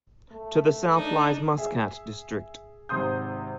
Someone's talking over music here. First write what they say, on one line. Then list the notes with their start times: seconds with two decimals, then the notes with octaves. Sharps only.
To the south lies Muscat District.
0.32 A3
0.93 D4 D#4
1.58 G#4 E5
2.89 G#1 C3 C6 D#6 G6